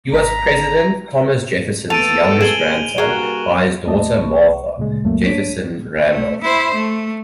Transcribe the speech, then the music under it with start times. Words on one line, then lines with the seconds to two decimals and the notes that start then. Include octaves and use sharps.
He was President Thomas Jefferson's youngest grandson by his daughter Martha Jefferson Randolph.
0.13 G#1 A5 A#5 B6
1.90 A3 B3 A4 A5 D7 D#7 F7
2.41 G#4 E7 F#7 G7
2.98 G2 A#3 F#4 G#4 A#4
3.87 D#2 A3 D5 D#5 A5
4.19 C2 C#6
4.77 D2 A#2 C#3 G#3
5.04 C#2 F#2 F#3 A3 A#3
5.22 D4 C#5 B6 D7 D#7
6.09 A3
6.42 E4 C5
6.75 A3